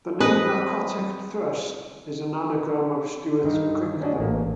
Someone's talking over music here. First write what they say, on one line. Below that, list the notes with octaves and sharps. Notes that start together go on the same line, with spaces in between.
The name Narcotic Thrust is an anagram of "Stuart Crichton".
C4 B4 D#5
G2 D#3 D#4
C#4 D4 F#4 D#5
A1 A#3